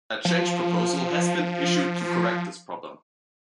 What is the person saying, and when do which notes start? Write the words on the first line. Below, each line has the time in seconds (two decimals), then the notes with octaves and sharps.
A change proposal has been issued to correct this problem.
0.25 F3